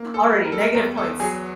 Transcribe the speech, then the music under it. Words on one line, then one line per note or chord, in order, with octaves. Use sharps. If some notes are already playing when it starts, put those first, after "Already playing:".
Already negative points.
Already playing: A#3
A4
G3
A#4
A4
A#4
E2 A#4
A4
F#3 G#4